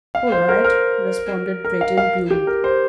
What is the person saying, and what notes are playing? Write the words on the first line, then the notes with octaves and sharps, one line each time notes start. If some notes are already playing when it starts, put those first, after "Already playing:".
"All right," responded Breton, gloomily.
F5
C5
A#4
A#4
A#4
F5
F5
G4
A#4
C5